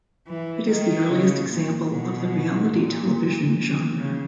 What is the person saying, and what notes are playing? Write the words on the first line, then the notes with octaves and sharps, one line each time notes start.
It is the earliest example of the reality television genre.
E3
D#3
C#3
A#2
B2
A#2
C#3